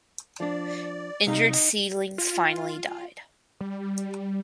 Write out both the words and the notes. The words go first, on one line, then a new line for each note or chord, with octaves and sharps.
Injured seedlings finally died.
F3 D4 D5
C3 D#4 F5
F4
G3